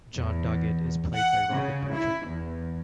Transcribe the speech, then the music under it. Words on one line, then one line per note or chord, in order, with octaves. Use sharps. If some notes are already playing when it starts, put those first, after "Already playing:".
John Doggett is played by Robert Patrick.
E2
F#5
C#3
E4
E2